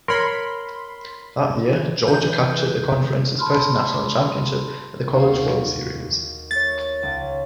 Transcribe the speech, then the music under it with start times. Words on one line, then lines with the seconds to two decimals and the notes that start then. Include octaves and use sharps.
That year, Georgia captured the conference's first national championship at the College World Series.
0.08 A#4 C#5 B5 C6
2.08 E3 B4 G6
3.39 A5 B5 C6 F6
5.12 D#2 F#4 F5
6.51 A3 C#5 A6
7.03 C#2